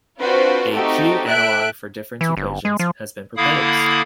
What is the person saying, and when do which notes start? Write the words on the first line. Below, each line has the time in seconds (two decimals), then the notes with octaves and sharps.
A q-analogue for difference equations has been proposed.
0.20 C4 D4 F4 F#4 B4 C5
0.73 A3 C4 D#4 F#4 G4 A4
1.27 A4 E5 G5 F#6 D7
2.21 E3
2.37 G1
2.65 G#3
2.79 F3
3.37 D3 A#3 E4 F5 B5 D#6